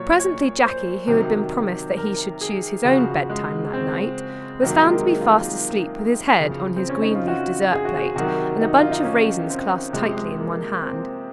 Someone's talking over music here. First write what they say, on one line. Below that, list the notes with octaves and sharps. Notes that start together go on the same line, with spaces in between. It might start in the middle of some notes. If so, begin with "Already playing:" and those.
Presently, Jackie, who had been promised that he should choose his own bedtime that night, was found to be fast asleep with his head on his green-leaf dessert plate, and a bunch of raisins clasped tightly in one hand.
Already playing: A#2 F#3 C#5
C#5
C5
C3 D#3 F#3
A#4
G#4
C#3 F3 F#4
G#3
C4
C3 D#3 F#3 A#3
G#3
A#3
F4
C#3 F3
C4
C#4
D#4
F4
F#4
G#4
F#4
G#4
C3 D#3 F#3 F#4
D#4
F4
D#4
C#4
C4
C3 F3 G#3
G#3
A#3
C4